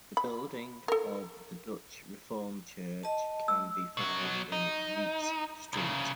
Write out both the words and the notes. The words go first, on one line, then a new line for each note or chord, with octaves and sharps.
The building of the Dutch Reformed Church can be found in Reitz Street.
B5
A4 A#4
D#5 A5
E6
B2 F#3
D#4
C2 C#3